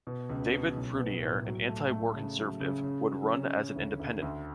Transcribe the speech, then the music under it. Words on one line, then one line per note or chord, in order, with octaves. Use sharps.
David Prunier, an anti-war conservative, would run as an independent.
B2
C#2
B2
B1
B3
A2
F#3
A3
A3
C#3
F#3
C#3
C#3
F#3
C#4
C#3
D2
D2
D2